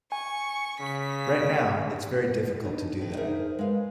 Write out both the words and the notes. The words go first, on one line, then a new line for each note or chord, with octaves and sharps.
Right now, it's very difficult to do that.
G#5 C#6
C#3 B6
D4 D#4
F2 D#3
D#4 G#4 A#4 C5 E5
G#3 B4 F5